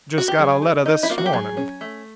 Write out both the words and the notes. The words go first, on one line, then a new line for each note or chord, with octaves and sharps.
'Just got a letter this morning.'
F#4
G4
F#3 G#4
D#4
D#4
E4
A#3 F4
F#4
G4
F#3 G#4
C#4
A3